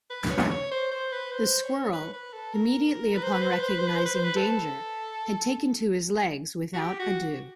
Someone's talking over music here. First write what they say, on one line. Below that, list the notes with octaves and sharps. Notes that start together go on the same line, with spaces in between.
The squirrel, immediately upon recognizing danger, had taken to his legs without ado.
B4
C#5
C#5
C5
C5
B4
C5
C#5
B4
B4
A4
A#4
B4
C5
B4
C5
B4
C5
B4
C5
B4
C5
B4
C5
B4
A4
F#4
G4
F#4